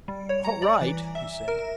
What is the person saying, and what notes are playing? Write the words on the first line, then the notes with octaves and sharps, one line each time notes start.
"All right," he said.
G3
C#5
A#5
D5
E3
E5
A#4